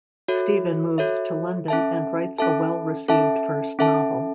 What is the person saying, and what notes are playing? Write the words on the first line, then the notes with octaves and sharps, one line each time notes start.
Stephen moves to London and writes a well-received first novel.
F#4 A4 C#5 E5
F#4 A4 C#5 E5
C#4 A4 E5 A5
C#4 A4 E5 A5
C#4 A4 E5 A5
C#4 A4 E5 A5